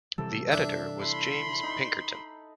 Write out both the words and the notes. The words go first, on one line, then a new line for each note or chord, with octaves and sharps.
The editor was James Pinkerton.
C3 E3 G3 A4
D4 E5
E4 B5 C6
D#4